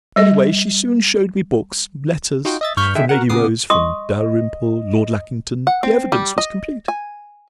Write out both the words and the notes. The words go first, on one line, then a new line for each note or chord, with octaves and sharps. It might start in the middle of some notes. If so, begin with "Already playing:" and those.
Anyway, she soon showed me books, letters--from Lady Rose, from Dalrymple, Lord Lackington--the evidence was complete....
G3 D#5
D#4 F4 F#4 G5
D#5 E5 A6
G2 C#6 F6 G6 B6
D3 G#3 E5 G5
F#4 A#4 F#5
A#2 C#3 B3 D6 D#6 C7
D#5 C6 C#6 D#6
F#5
C4
G3
D#5
G#5